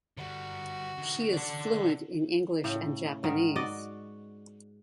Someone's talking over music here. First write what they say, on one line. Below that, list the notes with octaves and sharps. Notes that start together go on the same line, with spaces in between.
She is fluent is English and Japanese.
D3 G3 F#4
D3 D#4
D3 D5 F#5
A2 C#3
G#2 D#3
F#4 D5 D#5